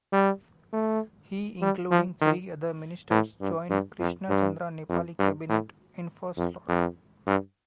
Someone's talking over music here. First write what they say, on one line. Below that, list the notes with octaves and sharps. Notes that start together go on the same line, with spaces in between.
He including three other ministers joined Krishna Chandra Nepali cabinet in first lot.
G3
A3
G3
F3
D#3
A2
G2
G2
F2
G2
F2
G2
A2
F2
F2
G2